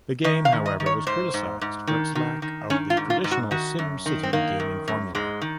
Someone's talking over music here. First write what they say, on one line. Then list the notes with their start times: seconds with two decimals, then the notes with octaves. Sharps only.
The game however was criticized for its lack of the traditional SimCity gaming formula.
0.24 D#3 D#5
0.45 F5
0.52 D#3
0.66 D#5
0.80 D#3
0.86 C#5
1.07 G#2 C5
1.34 G#2
1.61 G#2
1.87 D#3
2.15 D#3
2.42 D#3
2.70 D#3 C#4
2.90 F4
2.97 G#2
3.10 F4
3.24 G#2
3.31 F#4
3.51 D#3 F#4
3.79 F#2
4.06 D#3
4.23 C4
4.33 D#3 A#3
4.60 F#2
4.88 F#2
5.15 G#2 G#3
5.41 D#3